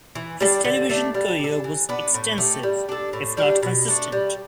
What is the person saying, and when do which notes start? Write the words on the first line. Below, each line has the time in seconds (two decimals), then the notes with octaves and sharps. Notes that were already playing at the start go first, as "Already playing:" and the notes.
His television career was extensive, if not consistent.
0.15 E3
0.40 G3 D4 A4
0.65 D3
0.90 A3 D4 A4
1.14 G3
1.39 D4
1.44 A4
1.64 E3
1.89 B3 D4
2.14 A2
2.38 A3 G4
2.63 G3
2.89 D4 A4
3.13 A2
3.37 G3 D4 G4
3.63 B2
3.88 A3 D4
4.12 G3